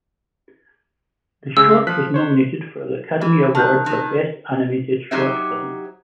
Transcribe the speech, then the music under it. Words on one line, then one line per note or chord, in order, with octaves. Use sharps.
The short was nominated for the Academy Award for Best Animated Short Film.
C#3 G#3 E6
F3 F#6 B6
C5 C#5
E3
D#3 A5 F#6 G6
D#3
F#3 D#4 G4 C5 C#5 E5